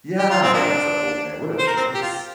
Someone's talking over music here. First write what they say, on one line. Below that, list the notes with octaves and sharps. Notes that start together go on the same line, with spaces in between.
Yeah, that's a oh man, what a choice.
G4
F4
C4
F3 A#3 D4
C5
A#4
C4
G4
F4